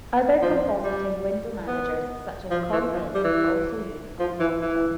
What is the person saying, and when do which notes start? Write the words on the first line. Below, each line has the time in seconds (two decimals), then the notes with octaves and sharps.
Other compositing window managers such as Compiz also use compositing.
0.42 F3
0.83 G3
1.68 B3
2.51 F3
2.72 E3
2.93 F3
3.14 G3
3.24 E3
4.19 F3
4.40 E3
4.61 E3